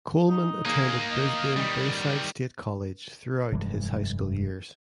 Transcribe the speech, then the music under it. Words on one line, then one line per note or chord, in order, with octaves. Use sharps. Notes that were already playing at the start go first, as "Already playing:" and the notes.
Coleman attended Brisbane Bayside State College throughout his high school years.
D#4
A#3 D#4 G#4
D#5
D#3 G3
F1 G2 E3 G#3